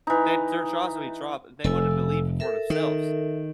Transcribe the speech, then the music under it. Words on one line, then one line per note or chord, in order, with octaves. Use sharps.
that their jaws will be dropped, uh, they wouldn't believe it for themselves.
E3 D#4
F1 A4 G#5 E6
A4 A#4 E5
D#3